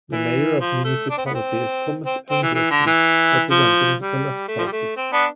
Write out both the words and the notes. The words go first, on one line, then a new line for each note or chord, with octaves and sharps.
The mayor of the municipality is Thomas Andresen, representing the Left party.
E3
F3
A3
D4
C4
B3
C4
C4
C4
E3
E3
D3
E3
F3
G3
A3
F3
G3
A3
C4
B3 D4